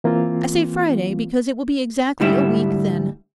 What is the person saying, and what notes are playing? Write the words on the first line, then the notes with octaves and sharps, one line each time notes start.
I say Friday because it will be exactly a week then.
E3 A#3 C4 F4
D2 G#2 G3 E4